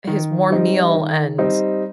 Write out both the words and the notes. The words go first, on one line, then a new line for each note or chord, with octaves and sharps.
his warm meal and
D#3
G3 C4 D#4
D#3
G3 C4 D#4